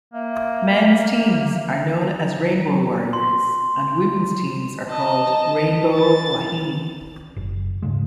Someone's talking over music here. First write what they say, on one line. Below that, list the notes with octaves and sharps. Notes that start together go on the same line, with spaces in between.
Men's teams are known as Rainbow Warriors, and women's teams are called Rainbow Wahine.
A#3 E5
C6
D#5 A5
A6
F#1
D#1 G#2 C#3 G#3